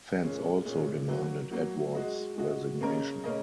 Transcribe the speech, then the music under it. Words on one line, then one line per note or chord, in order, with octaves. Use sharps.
Fans also demanded Edwards' resignation.
A#2 G#3 C#4
A#2 G#3 C#4
F#3 A#3 F#4
F#3 A#3 F#4
G#3 F#4 D#5
G#3 F#4 D#5
C#3 A#3 C#4 A#4 D#5
C#3 A#3 C#4 A#4 D#5